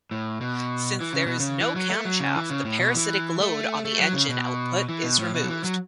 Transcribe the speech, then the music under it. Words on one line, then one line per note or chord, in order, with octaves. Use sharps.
Since there is no camshaft, the parasitic load on the engine output is removed.
A2
B2
E3
C#3
B2
C#3
E3
F#3
A3
F#3
C#3
E3
C#3
A2
B2
E3
A3
A3
F#3
C#3
B2
E3
B2
A2
B2
F#3
E3
F#3